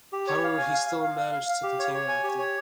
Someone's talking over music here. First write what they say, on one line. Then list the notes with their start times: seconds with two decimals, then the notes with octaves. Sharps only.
However, he still managed to continue acting.
0.13 G4
0.28 C#5
0.44 F5
0.58 G#5
0.74 F5
0.89 F5
1.04 F5
1.19 F5
1.33 F5
1.49 F5
1.63 G4
1.79 C#5
1.94 C#5
2.09 G#5
2.24 G4
2.39 C#5